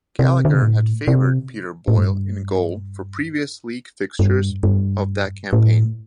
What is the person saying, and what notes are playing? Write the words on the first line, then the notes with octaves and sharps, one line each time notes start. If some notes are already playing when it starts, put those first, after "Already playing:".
Gallagher had favoured Peter Boyle in goal for previous league fixtures of that campaign.
C3
D3
C3
A2
C3
A2
G2
G2
G2
A2